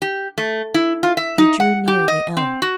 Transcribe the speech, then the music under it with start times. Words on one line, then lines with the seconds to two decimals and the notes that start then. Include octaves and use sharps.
They drew near the elm.
0.02 G4
0.38 A3
0.74 E4
1.03 F4
1.17 E5
1.38 D#4
1.60 F#5
1.88 G4
2.08 D#5
2.37 C4
2.62 F#4